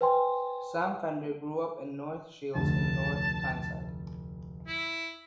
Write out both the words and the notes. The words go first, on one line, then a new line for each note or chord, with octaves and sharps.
Sam Fender grew up in North Shields in North Tyneside.
B4 C5 G5 G#5 C6
F1 D2 A5
E4